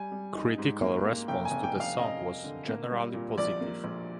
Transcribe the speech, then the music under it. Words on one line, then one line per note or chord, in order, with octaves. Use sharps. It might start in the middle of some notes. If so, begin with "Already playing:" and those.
Critical response to the song was generally positive.
Already playing: G3 G#5
G3
D#4
G#2
A#3
A#3
F1 G5
G#5
F1
G5
F1
F5
F1 D#5
F1
D3
A#3
G3
A#2
A#1 D5
A#3
A#1